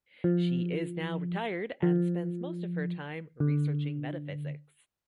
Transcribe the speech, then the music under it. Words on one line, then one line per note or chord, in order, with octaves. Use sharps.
She is now retired, and spends most of her time researching metaphysics.
F3
F3
D3